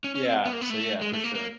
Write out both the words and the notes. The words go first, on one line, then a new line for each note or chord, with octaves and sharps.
Yeah, so, yeah, for sure.
C#4
C#4
C4
B3
A#3
B3
A3
G#3
A3
A#3
A#3